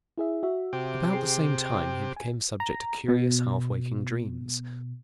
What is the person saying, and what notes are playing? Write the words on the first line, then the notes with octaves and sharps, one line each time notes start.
About the same time he became subject to curious half-waking dreams.
E4 G#4 E5
F#4 E5
C3 G4
G#4 G5 C7
G#5
A#5
B2